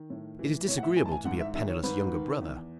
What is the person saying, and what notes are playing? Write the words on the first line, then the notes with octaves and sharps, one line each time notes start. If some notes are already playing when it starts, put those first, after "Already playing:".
It is disagreeable to be a penniless younger brother.
Already playing: D#3
A2
E3
A2 C#5
F#5
E5
E3 G#5
A5
G#5
G#2 F#5
E5
D#3 E5
C#5
G#2 B4
D#3
E2